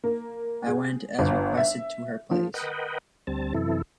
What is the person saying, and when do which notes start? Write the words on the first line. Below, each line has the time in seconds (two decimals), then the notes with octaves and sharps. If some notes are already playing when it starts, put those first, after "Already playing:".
I went as requested to her place.
0.04 A#3
0.67 G#4
1.19 G1
1.57 E5
2.31 F3
2.54 A#4 B4 D#5 F#5 G5
3.27 D2 G3 C4 A5
3.54 F#2 C3 E3 E4 A4